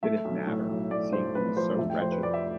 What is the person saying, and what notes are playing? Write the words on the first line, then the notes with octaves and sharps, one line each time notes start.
Did it matter, seeing he was so wretched?
A3 E5
B1
A2
B1
A2 D5
B1 C5
A2 B4
F3 C5
F1 E5
G5
F2 C5
B4
F2 D5
E5